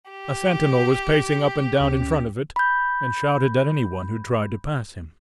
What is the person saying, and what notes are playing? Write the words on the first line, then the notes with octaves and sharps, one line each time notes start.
A sentinel was pacing up and down in front of it, and shouted at any one who tried to pass him.
G4
D2 C#4
B5 G6